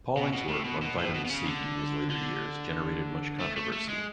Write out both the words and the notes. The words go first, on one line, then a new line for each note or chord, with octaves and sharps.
Pauling's work on vitamin C in his later years generated much controversy.
B2
B2
A2
B2
B2
A2
B2
B2
C#3
D3
D3
A3
A3
A3
G#3